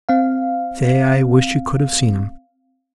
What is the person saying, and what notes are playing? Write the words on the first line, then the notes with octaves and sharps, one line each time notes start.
Say, I wish you could have seen him.
C4 F5